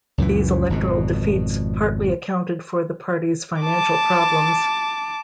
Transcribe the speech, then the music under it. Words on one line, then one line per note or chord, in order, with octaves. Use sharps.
These electoral defeats partly accounted for the party's financial problems.
C#2 F#2 A#2 E3
G#1 F2 B2
A5 D6